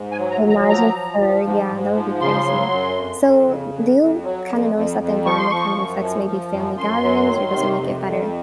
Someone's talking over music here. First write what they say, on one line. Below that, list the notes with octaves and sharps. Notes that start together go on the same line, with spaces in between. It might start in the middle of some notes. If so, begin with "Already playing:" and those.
imagine fur, yeah, that would be crazy. So, do you kind of notice that the environment kind of affects maybe family gatherings or does it make it better?
Already playing: G#2
G#5
F#3
A#5
F#3
A#5
F3 A#5
F3
F3
G#2
G#2
F3
C#3 C6
F#3
F#2
F2
F2
C#3
F2
F2
F#3
F2
F2
F2
F3 C#6
C6
F3 C#6
F#2
F3
F3
F#2
F#2 C6
F#3
D#3
C3
F2
F2